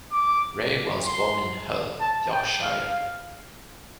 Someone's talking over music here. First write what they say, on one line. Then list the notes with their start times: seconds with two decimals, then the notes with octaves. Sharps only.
Wray was born in Hull, Yorkshire.
0.12 D6
1.06 C6
2.00 A5
2.32 G5
2.62 F5